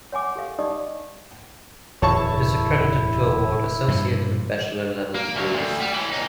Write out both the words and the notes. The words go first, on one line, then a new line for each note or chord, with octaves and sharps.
It is accredited to award Associate and Bachelor-level degrees.
C#5 F#5 G#5 D6
G4 A4 F5
D#4 G4 D5 D#5 D#6
D1 E2 E4 C#5 A5 C#6
G2 A#2 F3
A#3
D2 F#3
D2
G3
E3 C#4
E2 D#4